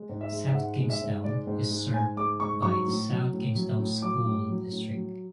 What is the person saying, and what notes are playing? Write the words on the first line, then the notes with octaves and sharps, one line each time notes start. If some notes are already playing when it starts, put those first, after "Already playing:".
South Kingstown is served by the South Kingstown School District.
Already playing: G#3
G#2
E5
G#3
E5
G#2 F#5
G#3
E5
G#2
G#3 D5
G#2
G#3
G#2 G#5
G#3 D6
G#2 C#6
F#3 C#6
A2
F#3
A2
F#3
A2
F#3 D6
A2
F#3
A2
F#3